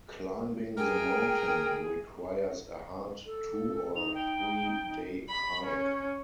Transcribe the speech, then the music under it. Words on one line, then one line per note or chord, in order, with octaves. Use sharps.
Climbing the mountain requires a hard two- or three-day hike.
G#4 A#4 G5
A4
D#4 F7
G5
B5
C#4